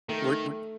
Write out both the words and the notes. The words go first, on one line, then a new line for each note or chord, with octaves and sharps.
Were were
D#3 A3